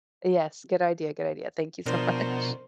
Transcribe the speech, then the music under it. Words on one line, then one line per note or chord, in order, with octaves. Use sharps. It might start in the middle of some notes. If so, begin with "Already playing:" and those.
Yes, good idea, good idea, thank you so much.
B2 F3 D4 A#4 C5